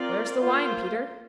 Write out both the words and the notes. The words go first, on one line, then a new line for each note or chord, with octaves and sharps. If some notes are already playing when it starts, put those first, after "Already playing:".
"Where is the wine, Peter?"
Already playing: C4 F4 A#4 D5
A#3 F4 C5